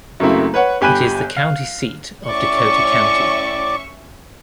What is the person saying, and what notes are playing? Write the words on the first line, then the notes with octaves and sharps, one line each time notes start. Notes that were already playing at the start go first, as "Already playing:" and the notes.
It is the county seat of Dakota County.
F#2 C#3 A3 A#3 C4 E4
B4 C#5 F#5
G1 G4 G#5 B5 F#6 D#7
F5
A2 C#4 D5 E5 C#6 D6